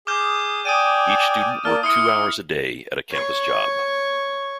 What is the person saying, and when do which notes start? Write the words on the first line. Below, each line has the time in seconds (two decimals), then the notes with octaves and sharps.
Each student worked two hours a day at a campus job.
0.07 G#4 D6 D#6 F6 G6
0.65 D5 G5 G#5 D#6 D7 D#7
1.65 A#3 D5 A5 F6
1.83 E4 C6 D#6 F6 C#7
3.11 C#5 C#6